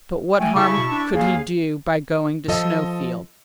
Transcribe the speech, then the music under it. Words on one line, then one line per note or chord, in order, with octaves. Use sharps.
But what harm could he do by going to Snowfield?
A3 G5 G#5
C#3 E4 A5 C#6
B2
D4
D#2 G#4 F5
F3 A4 D#5